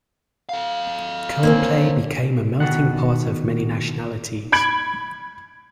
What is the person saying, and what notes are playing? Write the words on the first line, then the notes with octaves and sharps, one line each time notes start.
Coplay became a "melting pot" of many nationalities.
A4 F5
A#3 C4 C#4
B2 D#3 F#5
B5 G#6 D7 F#7